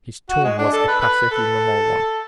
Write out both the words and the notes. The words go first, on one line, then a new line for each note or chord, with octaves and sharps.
His tone was a perfectly normal one.
F#4
G#3
D4
A4
B4
B4
A4